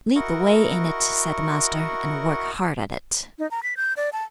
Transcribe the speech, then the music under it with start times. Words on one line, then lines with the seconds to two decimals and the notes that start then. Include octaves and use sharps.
"Lead the way in it," said the Master, "and work hard at it."
0.16 E4 F#4 A#4 D#5 F#5 C#6
3.39 D#4
3.51 A#5
3.63 B6
3.77 G6
3.97 D5
4.13 A5